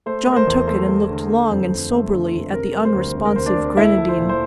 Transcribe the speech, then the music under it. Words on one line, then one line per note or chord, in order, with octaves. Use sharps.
John took it and looked long and soberly at the unresponsive grenadine.
A3 C5
A3
A#4
C5
E2
A3 C5
A3
D3
A3
F2
F2
A3
D3
F2
C3 A#4
G3
C5
D2
C3
A#4
D2 C5
D4 D5
D2
A3 E4 E5
A3
C5
A#2
C5